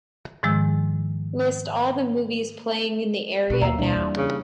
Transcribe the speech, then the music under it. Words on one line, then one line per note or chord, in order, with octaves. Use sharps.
List all the movies playing in the area now.
G#2 D#3 F3 G#3 E6
B2 G3 D4 F#4 B4
D#2 A#3 E5 F5 A#5
D2 B2 E3 G3 D4
E2
C#3